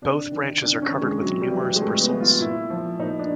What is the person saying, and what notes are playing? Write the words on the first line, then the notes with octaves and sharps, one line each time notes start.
Both branches are covered with numerous bristles.
C3 D4
D#3
C3 D4
C#4
D#3
G#3
C3 F#3
G3
E3
G3
G#3
C3 A3
B3
E3
F4
A#2 E4
F3
A#2 D#4
D4